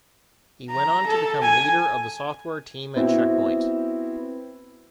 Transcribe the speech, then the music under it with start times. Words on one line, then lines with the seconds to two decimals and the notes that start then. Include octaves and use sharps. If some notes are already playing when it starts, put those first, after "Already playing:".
He went on to become leader of the software team at Check Point.
0.70 A#5
1.07 A4
1.42 G#5
2.96 B3 C4 E4 F#4